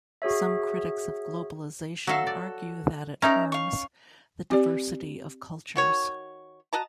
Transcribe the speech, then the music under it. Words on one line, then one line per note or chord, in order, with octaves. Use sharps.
Some critics of globalization argue that it harms the diversity of cultures.
F#4 G#4 C#5 E5
F#3 F#4 A4 E5 F5
D5
C#4 D#4 A#4 E5 A#5
F5 C#6
C4 G4 D5
D#3 F#4 C#5
F#4 D#5 A5 A#5